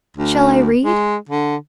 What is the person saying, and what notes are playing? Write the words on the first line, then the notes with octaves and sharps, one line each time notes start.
Shall I read?
D2
G#3
D3